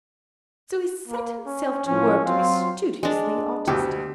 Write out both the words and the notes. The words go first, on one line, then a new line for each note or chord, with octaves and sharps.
So he set himself to work to be studiously artistic.
A#3
C#4
A2 F3 C#4
F#3 C4 F4 F5
G#3 D4
D2 B2 G4